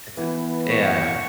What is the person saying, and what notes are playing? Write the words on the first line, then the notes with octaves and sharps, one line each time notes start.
It's a yeah, yeah.
E3 B3
C#6